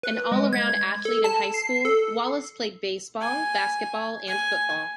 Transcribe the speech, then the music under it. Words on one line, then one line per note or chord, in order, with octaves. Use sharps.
An all-around athlete in high school, Wallace played baseball, basketball and football.
B4
G#3
G#6
A4
A5
C7
A4
G#5
G#5